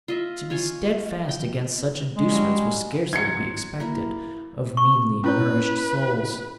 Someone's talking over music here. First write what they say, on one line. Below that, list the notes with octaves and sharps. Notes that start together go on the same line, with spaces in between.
To be steadfast against such inducements was scarcely to be expected of meanly nourished souls.
F4 D#5 E5
F4 C#5 G#5
G5
G#3
F#3 G3 C#4
F#3 F#4 C6 G#6 C#7
A#3 E4
C#6
C#4 E4 B4 C#5